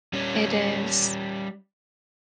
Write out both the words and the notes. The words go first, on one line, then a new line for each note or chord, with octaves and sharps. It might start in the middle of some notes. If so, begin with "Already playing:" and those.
It is.
G3 C#4